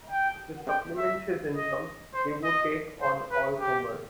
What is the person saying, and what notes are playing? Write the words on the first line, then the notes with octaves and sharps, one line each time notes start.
To supplement his income, he would take on all comers.
G5
G5
E5
D#5
C5
D#5
C5
B4
G4